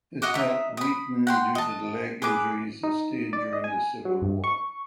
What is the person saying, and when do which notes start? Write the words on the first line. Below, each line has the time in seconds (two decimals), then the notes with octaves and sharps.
His health weakened due to the leg injury he sustained during the Civil War.
0.22 F#4 D#5 F#5 D6
0.34 D#4 E5
0.77 B5 D#6
1.27 F#5 G5 C6
1.55 D#5 A5
2.22 G#4 B4 D6
2.83 D#4
3.33 D5
3.53 D#5
3.64 G#5
4.05 F#3
4.22 G2
4.44 C#6